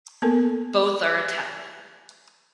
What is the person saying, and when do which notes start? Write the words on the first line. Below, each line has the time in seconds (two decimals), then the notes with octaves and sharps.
Both are Italian.
0.22 A#3 B3 A4 A#4